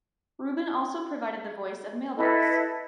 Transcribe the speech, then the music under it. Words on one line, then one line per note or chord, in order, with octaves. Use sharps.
Rubin also provided the voice of Mailbox.
E4 A4 B4 D#5